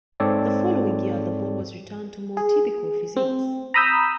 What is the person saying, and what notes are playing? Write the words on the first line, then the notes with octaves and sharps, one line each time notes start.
The following year the ball was returned to more typical physics.
G#2 C4 A4 C#5 D5
G#4
C4
A#5 B5 D#6 E6 G6